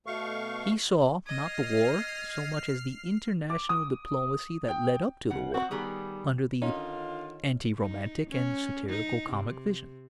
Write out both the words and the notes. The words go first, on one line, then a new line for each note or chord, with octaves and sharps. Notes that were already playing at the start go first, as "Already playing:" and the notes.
He saw, not the war so much as the international diplomacy that led up to the war, under the anti-romantic and satirical comic vision.
B2 A3 F5 C#6
D#5 F6 G#6 C7
D6
D#6
G5
C#3 F#5
C4 F#4 F#5
D#3 G3 B3 G#4
D3 D#3 C#4 D#4 F4
D#4
C#4
D#4
C3